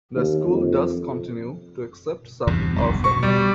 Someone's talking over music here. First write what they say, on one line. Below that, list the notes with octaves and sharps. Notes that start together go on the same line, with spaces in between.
The school does continue to accept some orphans.
D#2
F2
E2 G2 C3
F#1 B1 G2
B2 C#6
G3